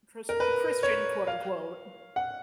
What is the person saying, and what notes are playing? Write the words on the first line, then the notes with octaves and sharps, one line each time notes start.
Chris Christian, quote unquote.
A#4
B4
C#5
F5
F#5